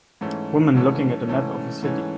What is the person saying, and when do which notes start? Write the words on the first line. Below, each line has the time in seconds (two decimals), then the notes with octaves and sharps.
Woman looking at a map of a city.
0.21 G#2 E3 A3 C#4
0.75 G#2 E3 A3 C#4
1.28 G#2 E3 A3 C#4
1.83 G#2 E3 A3 C#4